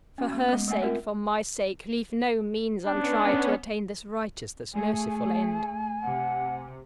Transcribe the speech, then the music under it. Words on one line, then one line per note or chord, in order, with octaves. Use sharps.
For her sake, for my sake, leave no means untried to attain this righteous, this merciful end.
C#4 F#4
A#3
G#3 B3
A3 D#5 F#5 G#5
C4 F4 A#4 E5 F#5
B3 C#4 D4
A3 G#4 G#5
C3 F#5